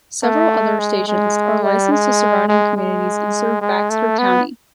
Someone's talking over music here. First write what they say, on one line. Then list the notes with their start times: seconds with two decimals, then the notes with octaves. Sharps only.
Several other stations are licensed to surrounding communities and serve Baxter County.
0.23 A3
0.79 G#3
1.07 G#3
1.63 G3
1.91 G#3
2.49 G#3
2.76 G#3
3.61 G#3
3.90 A3
4.18 B3